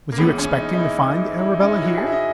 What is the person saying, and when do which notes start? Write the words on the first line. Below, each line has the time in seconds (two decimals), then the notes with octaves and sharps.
"Was you expecting to find the Arabella here?"
0.12 A#3
0.18 C#2 C#3 E3 B3
0.38 C#4
0.58 D#4
0.74 D#4
0.78 E4
1.08 D#4
1.38 E4
1.53 D#4
1.60 C#4
1.68 D#4
1.75 E4
1.82 F#4
1.98 G#4
2.07 E5
2.12 D#5